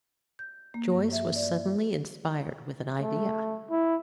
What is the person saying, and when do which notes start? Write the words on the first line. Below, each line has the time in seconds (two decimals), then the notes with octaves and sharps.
Joyce was suddenly inspired with an idea.
0.39 G6
0.74 A#3
0.92 G2
1.13 E5
1.36 D5
3.01 A3
3.70 E4